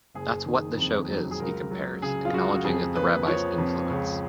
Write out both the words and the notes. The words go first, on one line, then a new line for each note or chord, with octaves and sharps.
That's what the show is, he compares, acknowledging the rabbi's influence.
F#1 G#4
D#3
F2
F#3
G#4
C#2 A#4
F#3
C#3 G#4
F4
C#2 F#4
F2 G#4
A#3 B4
F3 C#5
F2
C#2 C#5